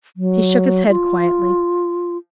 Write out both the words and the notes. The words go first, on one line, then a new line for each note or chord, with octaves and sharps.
He shook his head quietly.
F#3
F4